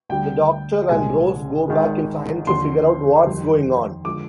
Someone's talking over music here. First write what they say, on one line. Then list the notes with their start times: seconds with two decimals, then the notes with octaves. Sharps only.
The Doctor and Rose go back in time to figure out what's going on.
0.09 D2 D3 G3 G5
0.89 C2 A#2 G#3 G#5
1.68 G#1 G#2 D#3 G#3
2.47 D#2 D3 F3 C6
3.27 F2 D#3 G3
4.05 D3 F3 G#3 D6